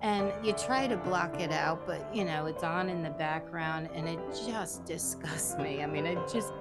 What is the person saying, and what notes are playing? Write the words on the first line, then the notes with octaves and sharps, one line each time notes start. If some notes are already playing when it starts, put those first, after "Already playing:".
and you try to block it out, but, you know, it's on in the background, and it just disgusts me. I mean, I just
Already playing: E1
D2 D5
D3 E5
D5
E1 F4
D4
D3 D4
E4
D3 D4
C5
D2 C5
D5
D2
E5
A1 D5
B4
A2
C5
D5
E3 D5
E5
A1 E5
E5
E3 D5
E2 E5
C3 D5
A4
B4
F1 G4
D4
E4
G1
F2
C3
G1
F4
A1 G4
G4
G2
B4
D3 C5
C5